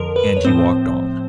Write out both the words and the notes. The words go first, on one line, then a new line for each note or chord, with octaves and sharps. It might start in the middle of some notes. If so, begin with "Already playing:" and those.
And he walked on.
Already playing: F2 D3 F3 A#4
B4
C#5
A2 F3 C4 C5